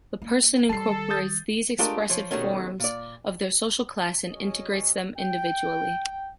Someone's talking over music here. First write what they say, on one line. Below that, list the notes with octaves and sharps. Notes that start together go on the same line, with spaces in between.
The person incorporates the expressive forms of their social class and integrates them individually.
A#3
D#3 G3 A4 A5 C7
D#6 G6 A6
G#3 A3 D4 F4 G4 A#4
F3 C#5
B2 D#3 G3 A3 C#4
A#2 D5
F#3 C#4 G#4 C#5 D#5
G5